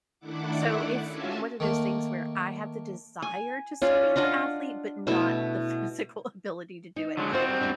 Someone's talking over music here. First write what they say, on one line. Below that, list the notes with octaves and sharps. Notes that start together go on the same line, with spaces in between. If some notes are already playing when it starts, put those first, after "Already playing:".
So, it's one of those things where I have the desire to still be that athlete, but not the physical ability to do it,
D#3 A3 D4 E4 F#5 D6
C#4 F4 F#4 E5 G#5 A5
D#3 A3 A#3
G#5
C#4 F4 D5 F5
D4 F4 D#5 F#5
B2 A3 E4 E5
D#4
D3 F#3 G#3
C4 D#4 F4 F#4 C5
G3
E2 G3 D4